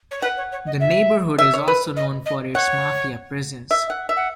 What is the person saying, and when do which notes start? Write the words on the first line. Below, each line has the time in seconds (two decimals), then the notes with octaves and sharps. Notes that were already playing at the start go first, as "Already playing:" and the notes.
The neighborhood is also known for its mafia presence.
0.11 C#5
0.22 B4 F#5
0.37 C#5
0.52 C#5
0.67 D#5
0.80 E5
1.38 E5
1.53 C#5
1.68 B4
1.97 D#5
2.26 D#5
2.54 C#5 F#5
3.71 E5
3.90 F#5
4.09 E5
4.16 F#5